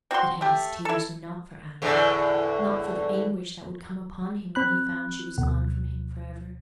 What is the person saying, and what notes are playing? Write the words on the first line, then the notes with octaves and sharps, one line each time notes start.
But Hetty's tears were not for Adam--not for the anguish that would come upon him when he found she was gone from him for ever.
C4 F#4 G5 C6
A3 G4
E4 A4
E2 A2 D3
C4 B5 F#6
D2 B2